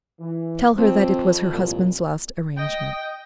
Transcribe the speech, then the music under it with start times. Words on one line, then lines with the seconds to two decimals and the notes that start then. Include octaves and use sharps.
Tell her that it was her husband's last arrangement.
0.20 E3
0.78 F2 C4
1.51 C2 A#2
2.57 D#5 G5